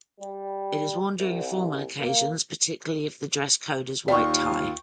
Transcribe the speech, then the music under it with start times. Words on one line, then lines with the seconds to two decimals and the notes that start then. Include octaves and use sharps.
It is worn during formal occasions, particularly if the dress code is white tie.
0.21 G3
1.19 C2
2.00 A#3
4.08 D#2 F4 D5 G5 C#6